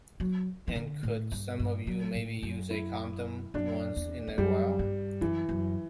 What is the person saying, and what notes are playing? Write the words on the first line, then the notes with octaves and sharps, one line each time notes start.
And could some of you maybe use a condom once in a while?
F#3
E3
D3
A2
G2
G2
F#3
A2
F#2
E4
F#2 D4
E2
E2
F#2 G3
G2
F#2 E3
F#2